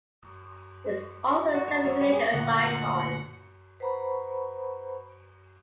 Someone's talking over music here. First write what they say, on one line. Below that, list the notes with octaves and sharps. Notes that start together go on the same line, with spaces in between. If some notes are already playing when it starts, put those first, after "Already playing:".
It is also a semi-religious icon.
F#4
C#5
F#3
G3
G#4
D2 A#2 F#5
B4 C5 F#5 A#5 B5 C#6